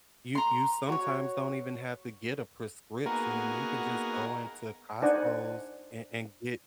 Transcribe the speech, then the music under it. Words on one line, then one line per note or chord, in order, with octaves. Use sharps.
You you sometimes don't even have to get a prescription. You can just go into Costco's and and get
A#5 C6
F#4 C#5
A#3 B3 D#4 F#4 G#4 A#4
D4 D#4 C5 D5 F#5 G#5